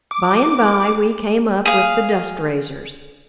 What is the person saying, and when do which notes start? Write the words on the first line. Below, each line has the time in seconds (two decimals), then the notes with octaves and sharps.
By and by we came up with the dust-raisers.
0.11 D6
1.65 G#4 F5